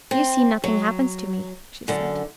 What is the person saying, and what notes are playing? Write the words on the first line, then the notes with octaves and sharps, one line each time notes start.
"You see nothing happens to me," she said.
C4
F#3
F#2 D3